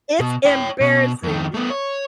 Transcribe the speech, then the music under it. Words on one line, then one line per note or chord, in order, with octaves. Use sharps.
It's embarrassing,
B2
C#5 G5
B2
F2 D#3
A3 B3
C#5